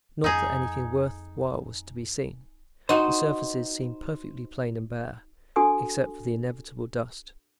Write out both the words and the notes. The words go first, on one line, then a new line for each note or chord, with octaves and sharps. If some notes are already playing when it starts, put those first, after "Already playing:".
Not that anything worth while was to be seen; the surfaces seemed perfectly plain and bare, except for the inevitable dust.
F2 D#4 G#4
D#4 F#4 C5
D4 F#4 A4 G#5 C6 D#6